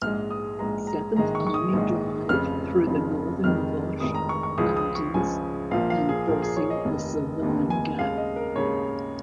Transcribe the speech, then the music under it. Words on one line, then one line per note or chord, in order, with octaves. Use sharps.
Seventh Army drive through the northern Vosges Mountains and forcing the Saverne Gap.
A#1 G#2 G#3 F6
D#6
A#1 G#2 G#3 A#5
A#5
A#1 G#2 D#3 G#3 A#5
C#6
C#6
D#6
A#1 G#2 D#3 G#3
F1 F2 C#3 F3 F6
F1 F2 C#3 F3
F1 F2 D#3 G#3 F6
F1 F2 D#3 G#3 D#6
A#5
C#6
C#6
C#2 C#3 F3 G#3 D#6
D#6
C#6
C#2 C#3 F3 G#3 G#5
A#1 A#2 F3 A#3 F5
F5
G#4
A#1 A#2 F3 A#3 A#4
G#4
C#5
D#5
F1 D#2 D#3 A#3
F1 D#2 D#3 A#3
G#5
D#2 C#3 G#3 F5
D#5
A#4
D#2 C#3 G#3 C#5